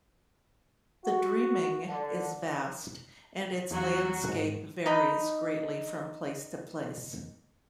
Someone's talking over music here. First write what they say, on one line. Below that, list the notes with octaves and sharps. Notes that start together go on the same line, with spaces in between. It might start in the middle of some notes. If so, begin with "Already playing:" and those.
The Dreaming is vast, and its landscape varies greatly from place to place.
F#4
D3
E2 F#3 F#4
G#2
D#4 D#5 B5